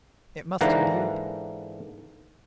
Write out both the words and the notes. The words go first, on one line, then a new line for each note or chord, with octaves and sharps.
It must indeed.
G#2 D3 E3 A#3 F#5 A#5